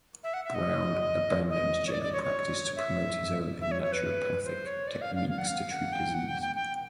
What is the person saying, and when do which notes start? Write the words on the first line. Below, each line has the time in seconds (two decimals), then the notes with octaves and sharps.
Brown abandoned general practice to promote his own naturopathic techniques to treat disease.
0.24 E5
0.34 F#5
0.44 E5
0.55 D#5
1.50 D#5
1.87 C#5
1.92 D5
2.02 D5
2.13 C#5
2.23 C#5
2.76 E5
3.61 E5
3.71 C#5
3.82 C#5
3.92 B4
4.45 C5
4.66 C#5
4.88 D5
5.01 F5
5.15 F5
5.29 F5
5.38 F#5
5.47 F5
5.71 F#5
5.93 G5
6.14 F#5
6.28 G5
6.42 G5
6.56 G5